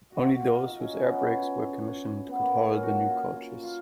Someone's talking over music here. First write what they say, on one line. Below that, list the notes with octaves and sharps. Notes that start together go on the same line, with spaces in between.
Only those whose air brakes were commissioned could haul the new coaches.
F#4
F#4
F4
D#4
C#4
C#4
B3
C#4
B3
A#3
C#4
F4
F#4
F4
F4
F4